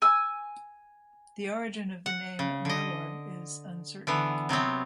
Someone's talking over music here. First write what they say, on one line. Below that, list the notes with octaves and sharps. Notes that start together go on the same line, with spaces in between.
The origin of the name "Mellor" is uncertain.
G#5 E6
F#5
C#3
D3 D#5
D3 E3 B3
C3 F#3 B3 C4